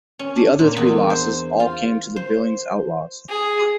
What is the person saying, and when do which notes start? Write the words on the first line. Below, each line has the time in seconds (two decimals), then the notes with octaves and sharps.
The other three losses all came to the Billings Outlaws.
0.19 C#4
0.36 D4
0.59 A#2
0.76 E2
1.10 C5
1.60 F4
2.16 C5
3.29 G#4